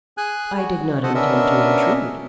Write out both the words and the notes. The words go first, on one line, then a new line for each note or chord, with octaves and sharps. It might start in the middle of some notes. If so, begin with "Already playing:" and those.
"I did not intend to intrude."
G#4 G#5 F#6
F#4
A4 C5 D#5 F#5
B3 C#4 D4 A#4 D#5 E5